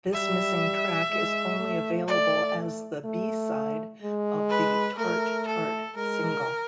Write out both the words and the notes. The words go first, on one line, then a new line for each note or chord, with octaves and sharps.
This missing track is only available as the B-side of the "Tart Tart" single.
G3 E5
G#3
A3
A3 D5
A3
G#3
B4
A3 A#4
A4
G#3 A#4